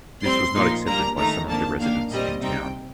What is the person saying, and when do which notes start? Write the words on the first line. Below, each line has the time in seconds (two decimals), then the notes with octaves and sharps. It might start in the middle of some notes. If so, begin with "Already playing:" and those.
This was not accepted by some of the residents in town.
0.24 A2 G3 C4 C6
0.55 A#2 F3 A#3 D#4
0.86 A#2 G3 A#3 D4 A#5
1.17 D#3 A3 D#4 A#5
1.48 F2 D#3 A#3 D4 A5
1.80 D#3 A#3 D4 F5
2.11 A#2 G3 C4 D#5
2.42 C3 G3 C4 D#4 G5